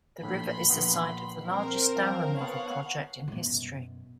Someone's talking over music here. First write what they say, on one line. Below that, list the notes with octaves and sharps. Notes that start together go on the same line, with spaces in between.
The river is the site of the largest dam removal project in history.
A#1 A2 B5 C6
A#1 A#2 B3
C4 A#4 C5
F3
B3 C#5 F5 F#5 A5
F#2 B2